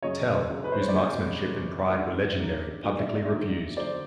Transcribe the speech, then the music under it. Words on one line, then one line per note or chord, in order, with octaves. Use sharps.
Tell, whose marksmanship and pride were legendary, publicly refused.
F#2 C#3 F#3 A#3 C#5 D#5
F#2 C#3 F#3 A#3
B4
C5
C#5
D5
F#2 C#3 F#3 A#3 C#5 D#5
F#2 C#3 F#3 A#3
G#2 D#3 F#3 A#3 D4 D5 E5
G#2 D#3 F#3 A#3 D4
G#2 D#3 F#3 A#3 D4
D5 E5
D5 E5
G#2 D#3 F#3 A#3 D4
D3 F#3 A#3 C5 D5